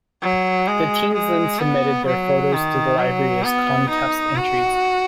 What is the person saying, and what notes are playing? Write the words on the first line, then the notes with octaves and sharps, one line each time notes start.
The teens then submitted their photos to the library as contest entries.
F#3
G#3
G#3
B3
F#3
D#3
F#3
B3
D#4
F#4